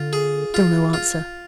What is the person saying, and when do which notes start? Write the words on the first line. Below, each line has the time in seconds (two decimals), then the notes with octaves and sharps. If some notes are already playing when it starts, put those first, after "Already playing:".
Still no answer.
Already playing: D3 F4
0.13 G#4
0.54 F4
0.93 F4